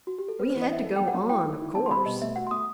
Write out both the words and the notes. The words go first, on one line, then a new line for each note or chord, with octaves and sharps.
We had to go on, of course.
F#4
G4
A4
B3 B4
C5
E3
D#5
E4 E5
A4
F#3 G5
F#5
F#3
E4 G5
D#3
E4
C4 A5
C6
G3 B5
B2 D#5
A3 E5
F#4 F#5
C6
A3 D#6